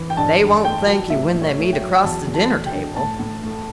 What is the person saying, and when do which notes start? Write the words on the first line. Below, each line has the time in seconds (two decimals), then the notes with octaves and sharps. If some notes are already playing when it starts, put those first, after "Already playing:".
"They won't thank you when they meet across the dinner-table."
Already playing: E3
0.10 G5
0.17 G2 A5
0.42 G2
0.64 A3 G5
0.87 F#3
1.10 A2 E5
1.34 A2
1.42 C#5
1.58 A3
1.72 G5
1.80 F#3
2.04 E2 A5
2.27 E2
2.34 A5
2.49 A3
2.66 G5
2.73 D3
2.96 A2 A5
3.19 A2
3.43 A3